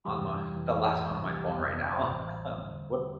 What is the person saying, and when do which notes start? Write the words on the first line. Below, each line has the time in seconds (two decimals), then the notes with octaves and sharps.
on my the last one on my phone right now, um, what
0.05 E2 C3 E3 G3 G4
0.56 G1 F2 E3
1.08 C2 C3 E3 G3
1.24 G4
1.42 G4
1.58 G1 F2 C3
1.76 D5
1.93 C5
2.09 A1 A2 E3 G3
2.60 E2 D3 G3